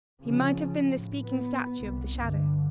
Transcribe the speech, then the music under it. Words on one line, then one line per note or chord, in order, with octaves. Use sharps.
He might have been the speaking statue of the shadow.
C#3 F3
A2
B3
C2
G2 D3